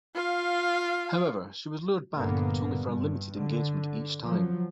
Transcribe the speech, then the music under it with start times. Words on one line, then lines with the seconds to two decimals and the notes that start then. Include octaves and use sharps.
However, she was lured back, but only for a limited engagement each time.
0.15 F4 F5
2.14 A#1 G2 D3 A#3 B3
2.83 G2
3.36 D3
4.22 F3 F#3